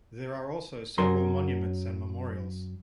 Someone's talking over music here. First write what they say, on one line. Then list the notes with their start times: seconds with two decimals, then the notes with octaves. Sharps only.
There are also several monuments and memorials.
0.98 F#2 F#3 A#4 C6